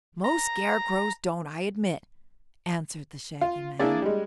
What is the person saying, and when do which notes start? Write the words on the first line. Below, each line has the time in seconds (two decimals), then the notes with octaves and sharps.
"Most scarecrows don't, I admit," answered the Shaggy Man.
0.24 A#5
3.41 F4
3.79 A#3 D4 E4 G#4 D5
4.02 G3 G#3